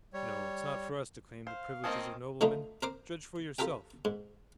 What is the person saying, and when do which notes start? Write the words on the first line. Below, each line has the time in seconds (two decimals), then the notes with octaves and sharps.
No, it's not for us to claim the privileges of noblemen. Judge for yourself.
0.14 G3 C#5
1.47 C5 F5
1.84 D#3 F3 A#3 C4 C#4 D#5 A5 D#6
2.41 D3 F3 A3 D#4
2.82 A#4 C5 D6
3.58 F4 G4 A4 A#4 G5
4.05 G#2